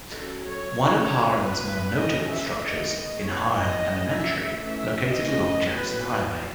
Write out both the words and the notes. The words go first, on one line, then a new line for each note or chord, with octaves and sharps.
One of Harahan's more notable structures is Harahan Elementary, located along Jefferson Highway.
F#3 C#4 A4
C#5
F#3 C#4 C#5
E3 B3 B4
E3 A3 C#4 D#5
E5
D#3 G#3 B3 D#5
E3 B3 C#5
D#5
E3 A3 C#4
E5
E3 A3 C#4 E5
E3 A3 C#4 D#5
F#3 B3 B4